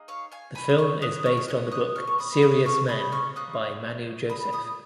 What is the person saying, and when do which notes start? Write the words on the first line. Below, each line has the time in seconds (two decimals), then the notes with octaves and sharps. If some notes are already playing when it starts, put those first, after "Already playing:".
The film is based on the book "Serious Men" by Manu Joseph.
Already playing: A#3 D#4 G#4
0.08 C#5 F5
0.32 F5 G#5
0.55 G#5 B5
0.69 D#6
0.78 C#6 F6
1.02 D#6 F#6
1.26 C#6 F6
1.37 F6
1.48 C#4 F#4 D#6 F#6
1.72 D#6 F#6
1.95 C#6 F6
2.07 C#6
2.19 B5 D#6
2.42 D#6 F#6
2.66 C#6 F6
2.89 B5 D#6
3.12 C#6 F6
3.36 A#3 C#4 D#6 F#6
4.29 B5 D#6
4.53 B5 D#6